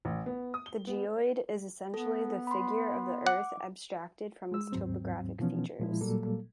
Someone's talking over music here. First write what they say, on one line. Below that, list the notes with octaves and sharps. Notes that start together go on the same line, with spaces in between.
The geoid is essentially the figure of the Earth abstracted from its topographic features.
A1
B3
D#6
G7
B3
B3 A4
B5 C6
F#5 D6
G#3 E6
D#2 G#2 F#3 C4
B2 E3 F3 B3 C#4
A#2 F3 G#3 E4
A#2 F#3 G3 A#3 A4